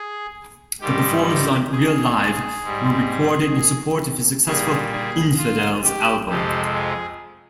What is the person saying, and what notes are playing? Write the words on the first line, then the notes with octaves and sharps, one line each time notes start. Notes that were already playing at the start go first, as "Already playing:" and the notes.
The performances on "Real Live" were recorded in support of his successful "Infidels" album.
Already playing: G#4
G#2 D#3 G3 G4
G4
G#4
G#4
G#2 G3
A#2 G3 G#4
G#4
F4
G4
F2 C3 F3 G#3 G4
G#4